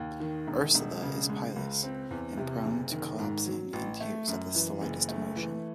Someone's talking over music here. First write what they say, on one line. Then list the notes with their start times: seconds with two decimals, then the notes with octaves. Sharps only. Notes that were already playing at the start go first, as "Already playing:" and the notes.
Ursula is pious and prone to collapsing in tears at the slightest emotion.
Already playing: D#2
0.20 D#3
0.47 E1
0.75 E1
1.02 C#3
1.29 G#3
1.56 C#2
1.83 C4
2.11 E2
2.37 C3
2.65 F#1
2.92 D#3
3.19 G#2
3.46 F#3
3.73 A1
4.01 A3
4.27 F#2
4.55 E3
4.81 F#1
5.08 A3
5.36 E3